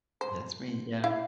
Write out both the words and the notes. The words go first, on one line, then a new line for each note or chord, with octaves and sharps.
That's me, yeah.
C5
E4 E5 F5